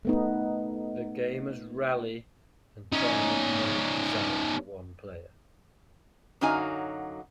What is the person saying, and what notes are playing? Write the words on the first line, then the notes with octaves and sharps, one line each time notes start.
The game has rally and tournament modes designed for one player.
A3 B3 D#4
C#4 D#4
F#2 D3 F#3 D#4 F5 G#5